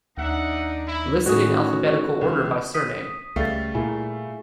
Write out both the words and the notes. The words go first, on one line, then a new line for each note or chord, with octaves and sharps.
Listed in alphabetical order by surname.
D#2 D4 D#4 E5 F#5
E4
A2 D#3 C#4 F#4 C#5 D#6
C#2 E3
D#6 B6
C#2 G3 A3 G#4 F5 A6
A#2 E4 F4 G#4 G#5